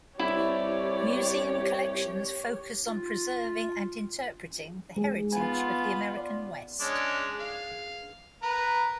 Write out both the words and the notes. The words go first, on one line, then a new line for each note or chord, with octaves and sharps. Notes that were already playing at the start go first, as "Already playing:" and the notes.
Museum collections focus on preserving and interpreting the heritage of the American West.
C2 E4 G4 C#5 D5
F4
G#3 G#4
B3 F4 G#5
D5
G#3 C#4 D4
F5
A#4 B4